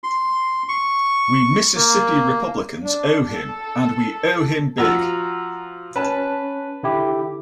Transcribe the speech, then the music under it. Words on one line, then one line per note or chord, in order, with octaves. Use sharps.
We Mississippi Republicans owe him, and we owe him big.
C6
C#6
A#3
D4
A4
A4
F3 F#4 A#5 E6
C#4 B4 A5
D3 E4 G4